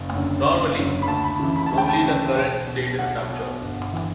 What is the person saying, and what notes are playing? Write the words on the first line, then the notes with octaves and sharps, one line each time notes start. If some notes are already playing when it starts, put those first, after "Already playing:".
Normally, only the current state is captured.
Already playing: F#1
F#2 D3
F#1
F#2 D3
B5
D2 A5
B5
C#3 E3
B5
D2 A5
G5
A5
C#3 E3
B1
B2
B1 F#5
B2
G1
E3